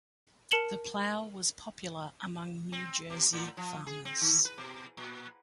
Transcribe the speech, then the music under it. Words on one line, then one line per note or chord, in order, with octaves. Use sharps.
The plow was popular among New Jersey farmers.
A#4 A5 C#7 E7 F#7 G7
C4
B2
A2
F3
G#4
C4
D#3
B4
B2
A#2